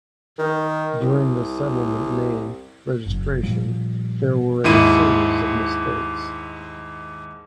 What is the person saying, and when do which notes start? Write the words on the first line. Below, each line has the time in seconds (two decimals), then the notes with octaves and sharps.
During the settlement name registration there were a series of mistakes.
0.39 D#3
1.01 C2
3.06 F#1
3.43 A#2 F3 G3
4.64 D#2 G#2 E4 D#7